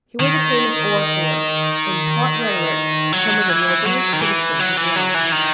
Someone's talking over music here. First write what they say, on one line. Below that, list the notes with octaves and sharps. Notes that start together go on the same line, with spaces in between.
He was a famous orator, and taught rhetoric to some of the noblest citizens of Rome.
D#3
F#3
E3
F#3
D#3
E3
F#3
E3
F#3
E3
D#3